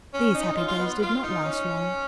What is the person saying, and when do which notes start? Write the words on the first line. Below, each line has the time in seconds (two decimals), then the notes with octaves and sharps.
These happy days did not last long.
0.14 C#4
0.35 D#4
0.57 F4
0.68 F4
0.79 B3
1.02 F4
1.23 D#4
1.45 C#4